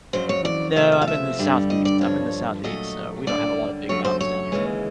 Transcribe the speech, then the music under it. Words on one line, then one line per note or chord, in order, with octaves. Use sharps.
No, I'm in the Southeast I'm in the Southeast, so we don't have a lot of big mountains down here.
F2 C#3 F#3 C5
C#5
D5
E2 C3 F3 A3 E5
E5
F5
E5
G2 D3 G3
D#5
D5
G2 D3 F3 C#5
A#2 F#3 A3 D#5
F#2 D3 G3 D5
F#2 C#3 F#3 A3 C#5
C5
C#5
D#2 C#3 E3 G#3